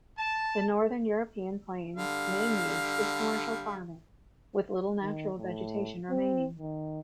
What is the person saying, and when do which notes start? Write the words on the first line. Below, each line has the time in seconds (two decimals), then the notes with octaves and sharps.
The Northern European Plain's main use is commercial farming, with little natural vegetation remaining.
0.18 A5
1.96 D3 G3 F5
5.02 D#3
5.38 A2
6.10 C4
6.59 D#3